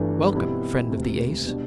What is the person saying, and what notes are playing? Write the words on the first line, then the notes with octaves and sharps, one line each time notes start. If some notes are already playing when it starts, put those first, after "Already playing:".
"Welcome, Friend of the Ace."
Already playing: G1 G2 E3 A3 D4
B2 G3 C4 E4
E1 D2 C3
B2 G3 D4 F#4